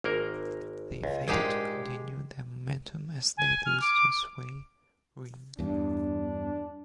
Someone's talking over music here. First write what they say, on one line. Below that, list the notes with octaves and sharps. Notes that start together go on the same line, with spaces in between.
They failed to continue their momentum as they lose to Svay Rieng.
G#1 A#3 A#4
C#2
A#1 G#2 G#3 G4 G#4 F5
G#5
F6
D6
E2 G2 D4